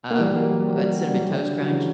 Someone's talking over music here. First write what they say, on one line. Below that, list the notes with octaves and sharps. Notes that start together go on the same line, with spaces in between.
um, what Cinnamon Toast Crunch.
A#3
E3 G3
F#3 A#3
F#3
G3
F#3
G3
F#3
G3
F#3
G3
F#3
G3
D3 F#3
F#3
C#3 E3